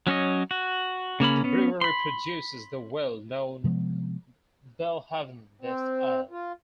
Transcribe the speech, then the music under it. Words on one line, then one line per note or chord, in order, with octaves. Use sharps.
The brewery produces the well known Belhaven Best ale.
F#3 C#4 C#5 D#5
F#4
C#3 A#3 C#4 B5
B3 C#4
B5 C6
C3 F3 G#3 B3
C4
F4